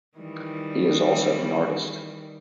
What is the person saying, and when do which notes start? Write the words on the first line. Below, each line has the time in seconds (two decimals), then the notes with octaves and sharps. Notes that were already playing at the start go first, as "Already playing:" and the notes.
He is also an artist.
0.18 D#3 E3 G3